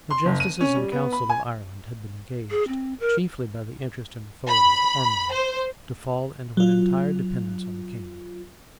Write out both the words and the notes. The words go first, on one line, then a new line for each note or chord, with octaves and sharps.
The justices and council of Ireland had been engaged, chiefly by the interest and authority of Ormond, to fall into an entire dependence on the king.
C6
F#1
D#7
C#4
G3
B3
B5
G#5
G#4
C4
A#4
B5
C5
F#3 F4